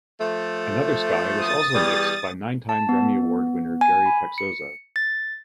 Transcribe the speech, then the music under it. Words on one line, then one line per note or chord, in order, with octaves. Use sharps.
Another Sky was also mixed by nine-time Grammy Award-winner Gary Paczosa.
F3 A3
D#6 A6
E2 G3
A5
B3
G#5
B5
C#7
A6